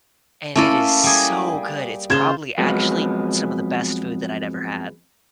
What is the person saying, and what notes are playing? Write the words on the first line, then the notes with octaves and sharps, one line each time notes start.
and it is so good. It's probably actually some of the best food that I'd ever had.
A3 A#3 C#4 E4 A4 D#7
G3 G#4
C#3 F4 C5 G#6 E7
F2 F#3 G#3 B3